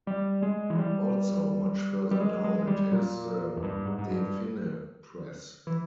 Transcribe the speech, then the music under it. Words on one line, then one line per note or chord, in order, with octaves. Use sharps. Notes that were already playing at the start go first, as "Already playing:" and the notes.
Also, much further down it has The De Vinne Press.
G3
G#3
E3
G3
G3
G#3
G#3
G#3
G3
A#2
E2
G2
G#2
G#2
G2
E3